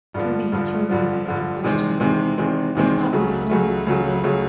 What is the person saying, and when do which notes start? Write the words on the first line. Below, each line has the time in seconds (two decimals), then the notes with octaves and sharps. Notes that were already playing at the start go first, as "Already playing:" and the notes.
Toby had cured me of asking questions. He stopped my fiddling if I did.
0.14 G2 D3 F3
0.52 G2 D3 F3
0.89 G2 D3 F3
1.26 G2 D3 F3
1.63 E2 C3 D#3 G#3 C4
2.00 E2 C3 D#3 G#3 C4
2.38 E2 C3 D#3 G#3 C4
2.75 E2 C3 D#3 G#3 C4
3.12 C#2 C#3 F#3 A3
3.49 C#2 C#3 F#3 A3
3.86 C#2 C#3 F#3 A3
4.23 C#2 C#3 F#3 A3